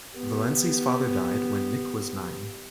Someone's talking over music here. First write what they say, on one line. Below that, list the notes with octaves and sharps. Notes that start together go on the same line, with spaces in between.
Valensi's father died when Nick was nine.
B3 G4